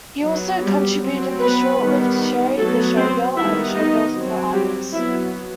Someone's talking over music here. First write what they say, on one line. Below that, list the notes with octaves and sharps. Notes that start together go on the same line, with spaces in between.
He also contributed the short-lived "Sherry the Showgirl" and "Showgirls" for Atlas.
F#3 B3
G3 G4
F#3 C4
B3 B4
D#3 G3 B3
F#3 A3 B3 A4
C4 C5
D#3 G3 B3 E4 E5
D#4 D#5
F#3 C4
G3 G4
F#3 B3 E4 E5